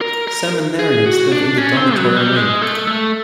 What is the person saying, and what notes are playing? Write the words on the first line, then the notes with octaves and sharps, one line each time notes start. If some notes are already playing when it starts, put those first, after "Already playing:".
Seminarians live in the dormitory wing.
A#4
A#4
G#4
F#4
D4
C#4
C4
F#3
G3
G#3
A3
A3